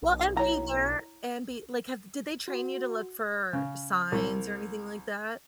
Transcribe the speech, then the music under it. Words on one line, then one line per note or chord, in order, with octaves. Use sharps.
Well, and be there, and be like, have did they train you to look for signs or anything like that?
B1
E4 C#5 A#5
F#4
C#3
C2